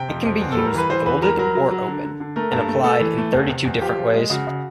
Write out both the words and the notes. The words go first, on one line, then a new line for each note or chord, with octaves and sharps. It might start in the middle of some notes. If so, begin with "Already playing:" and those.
It can be used folded or open, and applied in thirty-two different ways.
Already playing: C3 G5
F2
F2
E2
A4
G3
A#4
E3 B4
E3 C5
E2 B4
G3 A#4
F#3 A#4
F#3
F#3
D3
D3
D3
A3 A#4
G2
A3
A3 A4
E3
A3
E2
C3
E2
F3 G4
F3
G#3
C#3 F#4
C#3